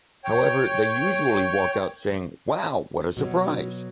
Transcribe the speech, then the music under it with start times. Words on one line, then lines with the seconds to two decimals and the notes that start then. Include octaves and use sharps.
However, they usually walk out saying, 'Wow, what a surprise!
0.25 C#5 G5
3.17 B2 F#3 F#4